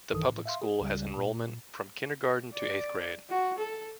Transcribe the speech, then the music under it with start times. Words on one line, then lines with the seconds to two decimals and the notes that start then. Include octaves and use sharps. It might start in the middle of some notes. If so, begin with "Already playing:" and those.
The public school has enrollment from kindergarten to eighth grade.
0.13 B1 G2 D#3 E3 A4 D#6
0.28 A2
0.46 E5 F5 C6
0.62 G#4
0.81 C#2 C#3 G3
1.17 A#2
2.54 D5
3.30 F#4
3.59 A4